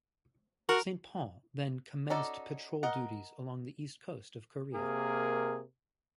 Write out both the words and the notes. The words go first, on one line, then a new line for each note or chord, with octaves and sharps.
"Saint Paul" then commenced patrol duties along the east coast of Korea.
F#4 A#4
C#4 D#4 F#4 A4 D5
A#4 D#5 F#5
C3 A#3 G#4 A#4